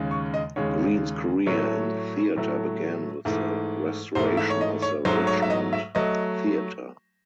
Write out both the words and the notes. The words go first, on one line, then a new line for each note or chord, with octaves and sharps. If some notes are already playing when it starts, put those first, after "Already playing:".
Greene’s career in theatre began with the restoration of the Richmond Theatre.
Already playing: D#2 C#3 G#3
C#6
D#5
D#2 C#3 G#3 C#5
A2 F#3 A3 C#5
A2 F#3 A3
G#2 E3 A3
G#2 E3 A3 C5
E5
C#5
D#5
C#5
G#2 F#3 A3 C5
C#5
E5
D#5
E5
F#3 A3 D#5